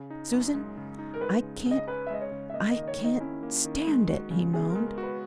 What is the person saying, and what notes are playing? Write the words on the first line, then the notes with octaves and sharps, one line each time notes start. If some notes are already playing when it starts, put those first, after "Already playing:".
"Susan, I can't! I can't--stand it," he moaned.
Already playing: C#3
D#4
F#2
G#3
C#3
D#4
A#4
G#3 B4
C#3
C#3
D#5
C#4 B4
E5
G#3 D#5
C#5
C#3
E5
A#3 D#5
D#5
D#3
D#5
C#5
D#3
D#4
C#4 E4
A#3
D#3
G#3
F#4
C#3
B3 G#4
A#4
G#3
A#4
F#4
B4